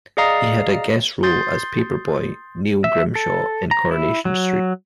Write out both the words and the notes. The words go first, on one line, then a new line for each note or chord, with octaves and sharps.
He had a guest role as paperboy Neil Grimshaw in "Coronation Street".
G#4 D5 D#5 F5 A#5 D#6
C6 D#6 G6 A6 C7
E5
A4
A#5
E4
F#3